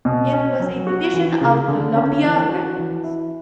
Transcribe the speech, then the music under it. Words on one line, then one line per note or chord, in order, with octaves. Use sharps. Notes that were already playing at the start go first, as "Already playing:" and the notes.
It was a division of Columbia Records.
B2
C#4
F#3
F#4
E3
C#3
D3
C#4
E3
F#4
E3
E4